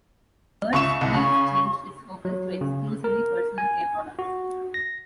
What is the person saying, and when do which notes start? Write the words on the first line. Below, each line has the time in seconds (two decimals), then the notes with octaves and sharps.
Burt's Bees changed its focus to exclusively personal care products.
0.73 C#2 E5 C#6 E7
1.01 C2 D#5
1.14 C#3 C#6
2.25 F#3
2.61 C#3
3.04 A#4
3.58 G#5
4.19 F#4
4.74 A#6